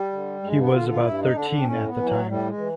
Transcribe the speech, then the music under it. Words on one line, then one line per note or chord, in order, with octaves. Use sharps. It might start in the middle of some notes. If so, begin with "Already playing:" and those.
He was about thirteen at the time.
Already playing: G3
D3
G2 G#3
B3
D3 F4
F4
G2 E4
D#4
D3 D4
D4
C4
A2 C#4
B3
E3
F#3
A2 G3
G#3
E3